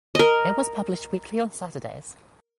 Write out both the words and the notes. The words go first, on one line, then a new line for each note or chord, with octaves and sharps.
It was published weekly on Saturdays.
A#4 D#5